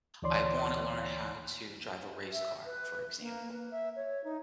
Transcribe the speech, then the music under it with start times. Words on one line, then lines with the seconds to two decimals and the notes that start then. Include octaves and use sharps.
I wanna learn how to drive a race car, for example
0.22 D2 E3 C#5 D5 C6
2.32 E5
2.65 B4
3.21 A#3
3.52 B4
3.71 E5
3.96 C#5
4.24 D#4